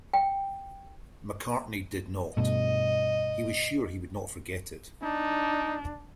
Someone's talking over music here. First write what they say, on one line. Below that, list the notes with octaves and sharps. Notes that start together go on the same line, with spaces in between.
McCartney did not; he was sure he would not forget it.
G5
G2 B2 A3 D#5
D4 D#4